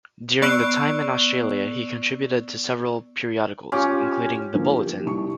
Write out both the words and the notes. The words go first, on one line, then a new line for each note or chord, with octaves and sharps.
During the time in Australia he contributed to several periodicals, including "The Bulletin".
B3 D5 C#6 E6 C7 D7
C#4 F4 G4 D6
D3 F3 A#3
G4
C2 C3 C#6